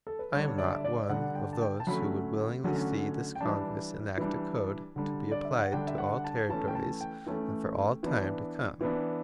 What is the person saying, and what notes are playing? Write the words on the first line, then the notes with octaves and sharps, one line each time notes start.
I am not one of those who would willingly see this Congress enact a code to be applied to all Territories and for all time to come.
A4
B4
D3 G3 D4 C#5
C#5
D5
E5
D5
D3 G3 D4 F#5
G5
A5
G5
A5
D3 F#3 A3 C#4 B5
D3 F#3 A3 C#4
G5
E3 G3 D4 A5
E3 G3 D4
D3 G3 D4
D5
E5
F#5
D3 G3 D4 G5
E5
F#5
A5
E3 A3 C#4 A5
G5
A5
G5
E3 A3 C#4
E3 B3 D4
E3 B3 D4